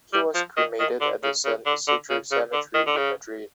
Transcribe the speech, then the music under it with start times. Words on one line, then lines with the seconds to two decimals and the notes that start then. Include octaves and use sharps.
He was cremated at the San Isidro cemetery in Madrid.
0.13 G3
0.35 F3
0.57 D#3
0.79 D#3
1.01 D3
1.23 C#3
1.45 C#3
1.66 D3
1.88 D3
2.10 C#3
2.32 C#3
2.53 D3
2.74 D#3
2.87 D3
2.97 C#3